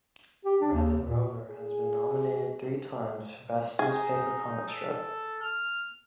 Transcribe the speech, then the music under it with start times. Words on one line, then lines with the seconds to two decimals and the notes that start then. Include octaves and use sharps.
Red and Rover has been nominated three times for Best Newspaper Comic Strip.
0.45 G4
0.61 D4
0.73 D#2
1.09 A#2
1.49 G#4
3.79 D#4 G#4
4.68 A4
5.42 F6